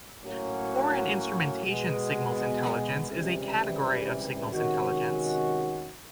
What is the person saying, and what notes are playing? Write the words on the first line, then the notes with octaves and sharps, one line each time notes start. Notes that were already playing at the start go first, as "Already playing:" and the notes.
Foreign instrumentation signals intelligence is a category of signals intelligence.
A2 F#3 A#3 C#4 F#4
B2 G#3 B3
C#2 C3 E3 G3
C3 D#3 G#3 C#4 F#4